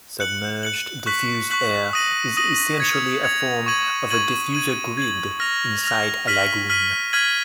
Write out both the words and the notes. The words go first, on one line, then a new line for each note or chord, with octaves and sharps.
Submerged diffused air is essentially a form of a diffuser grid inside a lagoon.
F#6 C#7 F#7
F#6 C#7 F#7
C#6 F#6 B6 F#7
C#6 F#6 B6 F#7
D#6 A#6 D#7 F#7
D#6 A#6 D#7 F#7
G#6 C#7 F7
G#6 C#7 F7
C#6 G#6 D#7 F#7
C#6 G#6 D#7 F#7
G#6 D#7 F#7
G#6 D#7 F#7
F6 A#6 F7
F6 A#6 F7
F6 B6 D#7 F#7
F6 B6 D#7 F#7
F6 G#6 B6 D#7 F#7